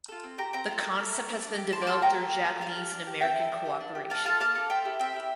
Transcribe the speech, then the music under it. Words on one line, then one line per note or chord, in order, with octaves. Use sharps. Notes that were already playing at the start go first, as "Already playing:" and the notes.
The concept has been developed through Japanese and American cooperation.
F4 A4
C4
G4 G5 A#5
C4 G5 A#5
F4 A4
A#3
E4 A4
A3
D4 A4
D4
G4
D4 A5 C6
D6
F4 A4 A5 C6
A#3 G5 A#5
F4 A4
A#3
F4 A4
D4 F5 A5
G4
D4
G4
C4 E5 G5
E4 A4
D4
G4
D4
G4
A#3 F5 A5
F4 A4 F5 A5
A#3 F5 A5
D4 A4
C4 E5 G5
E4 G4
C4 E5 G5
E4 G4